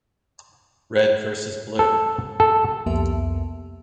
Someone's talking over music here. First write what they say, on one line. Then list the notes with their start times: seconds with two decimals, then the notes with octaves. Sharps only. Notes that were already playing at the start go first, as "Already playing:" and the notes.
Red versus Blue.
1.79 A4
2.40 A4
2.86 C2 F2 A#3 B3 G4 E5